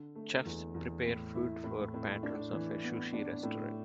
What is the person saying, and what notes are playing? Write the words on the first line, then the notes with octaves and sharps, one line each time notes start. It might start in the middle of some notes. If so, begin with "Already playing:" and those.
Chefs prepare food for patrons of a sushi restaurant.
Already playing: D3
A3
E2
E2
A2
E4
A2
A2
D4
E3
B3
D4
A2